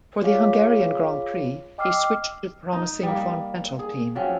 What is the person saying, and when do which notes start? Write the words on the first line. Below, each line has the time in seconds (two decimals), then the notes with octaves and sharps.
For the Hungarian Grand Prix he switched to the promising Fondmetal team.
0.22 F4 G#4 C#5 F5
1.78 D#5 G5 D6 E6 F6 C7
2.73 D#4
3.03 G3 A#3
3.79 G#4
4.15 F3 F#3 C4 C#4